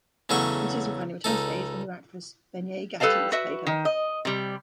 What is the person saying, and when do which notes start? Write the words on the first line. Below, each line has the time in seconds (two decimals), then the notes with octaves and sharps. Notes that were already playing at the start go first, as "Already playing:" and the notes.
When Susan finally returned to "Days", a new actress, Bennye Gatteys played her.
0.29 E2 C#3 F#3 A3 C#6
1.24 C#2 D#4 A4
3.00 G3 A4 B4 D5 F5 A5
3.32 F#4 B4 E5
3.67 D#3
3.85 D#5
4.25 C3 G3